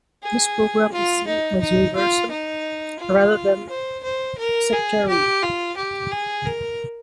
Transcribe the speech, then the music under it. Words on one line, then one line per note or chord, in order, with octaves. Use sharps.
This program is seen as universal, rather than sectarian.
G#4
F4
D#4
D#4
F4
D#4
F4
C5
C5
A#4
G#4
G4
F4
G4
G#4
A#4